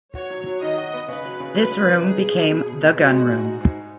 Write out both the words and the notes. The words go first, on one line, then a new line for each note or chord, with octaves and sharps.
This room became the gunroom.
F#4 C#5
F#3
F#3
D#3 D#5
F#4
B3
C#3 B4
F#3
C#3
F#3 B4
C#4
C#3
D#4 G#4
B2
F#3
B2
B2
B2
G#3 F#4
G#3
G#2
D#4
G#2